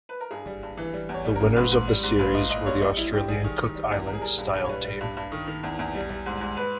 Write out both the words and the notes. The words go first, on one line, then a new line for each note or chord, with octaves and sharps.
The winners of the series were the Australian Cook Islands Style team.
B4
A#4
G2 G#4
G3
G2
E3
G3
E2
C#5
G3
C#3 A#4
G#2 B4
G#2
G3
G#2
A#2 B4
A#2 D#5
A#2 D#5
G3 C#5
G3 D#5
G3 E4
G3 G4
G3 G#4
D#3
D#3
G3
E2
G3 A#4
G#4
G3 A#4
G2
G2
C#5
G3 B4
G3
G2
G2
D#3
D#3
E2
E2
G3
G3
G#2
G#2
B4